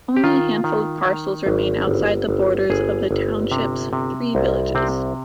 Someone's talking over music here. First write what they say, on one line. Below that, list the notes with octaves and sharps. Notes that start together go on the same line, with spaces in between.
Only a handful of parcels remain outside the borders of the township's three villages.
G4
D#3 F4
D#3
D#3
G#1
G1
G1
G1 G#4
G1
C3
C3
C2
C3 C4